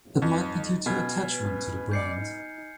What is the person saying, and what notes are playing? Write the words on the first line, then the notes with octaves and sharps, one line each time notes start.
It might be due to attachment to the brand.
F2 D#4
B2 G#5 F6 G#6
B4
D5 D#5 G6 C7 C#7
D#4